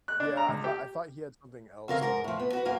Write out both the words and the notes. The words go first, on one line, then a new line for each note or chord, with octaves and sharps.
Yeah, I thought I thought he had something else though.
F#6
D4
A#5
C#2
G4
F2 C#3 A#4 F5
G#2 A#4
A2 F3
B3
F#4 B4
F#2 A#3 A#4